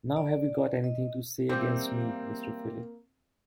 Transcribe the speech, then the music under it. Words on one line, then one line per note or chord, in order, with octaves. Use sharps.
Now have you got anything to say against me, Mr Philip.
D5
D#5
E3 G3 A#3 C4